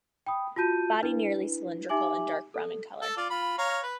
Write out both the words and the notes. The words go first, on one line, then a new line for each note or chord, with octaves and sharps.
Body nearly cylindrical and dark brown in color.
G5 B5 D#6
F4 F#4 A5 G6 D#7
D4 E4 B4
D#4 G4 E5 G#5 D6 F#7
A4
A4
F4 D5
F4 B5
C#5 F5 A#5
B4